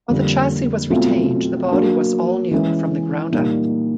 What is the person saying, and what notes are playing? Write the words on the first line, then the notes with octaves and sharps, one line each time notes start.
While the chassis was retained, the body was all-new from the ground up.
F2 D3 G3 A#3
B2 F#3 A3 C4 F4
F#3 A#3 D4
E3 G#3 C#4 E4
A#2 G3 A#3 D#4